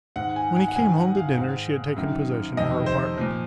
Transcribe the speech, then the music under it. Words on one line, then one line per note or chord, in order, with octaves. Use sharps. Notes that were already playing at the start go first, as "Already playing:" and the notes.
When he came home to dinner she had taken possession of her apartment.
G#2 D#3 F#5
G#5
G#5
F#5
G#2 D#3 G#5
F#5
F5
G#2 D#3
F#2 D#3
F2 C3 D#3 D#5
C5
A#2 F3